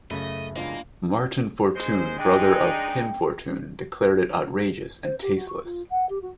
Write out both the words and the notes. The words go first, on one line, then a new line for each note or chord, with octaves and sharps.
Marten Fortuyn, brother of Pim Fortuyn, declared it outrageous and tasteless.
F#2 C#3 A3 D#5 B5
E2 G#3 A#3 D4 F4
G#3 C5
G#3 D4 D#4 G5
C5
G4
F#4
C#6
F4
F#5
G4
F#4